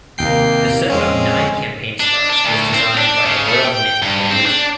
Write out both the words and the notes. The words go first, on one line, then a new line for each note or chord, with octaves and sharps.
The set of nine campaign stars was designed by the Royal Mint engravers.
D#2 C3 A#3 G5 C7
F2 G#3 C4 C#4
D4
D4
D2
C4
D4
C#3
A3
G5
G2
C4
D4